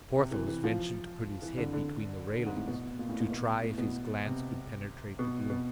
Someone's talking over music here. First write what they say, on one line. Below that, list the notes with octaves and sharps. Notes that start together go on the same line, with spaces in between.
Porthos ventured to put his head between the railings, to try if his glance could penetrate the gloom.
C3
E3
E3
F3
E3
D3
D3
D3
G#2
A2
B2
A#2
A2
A#2
B2
A2
B2
C3
B2
B2